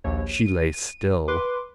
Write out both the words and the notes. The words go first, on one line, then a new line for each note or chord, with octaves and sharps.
She lay still.
A#1 D#2 C#5
D#7
B4 C6 D6